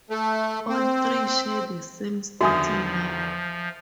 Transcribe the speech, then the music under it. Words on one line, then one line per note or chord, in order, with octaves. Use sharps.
All three share the same starting line.
A3
C4
E2 D3 D#3 F3 F#4 E5 G#5 D#6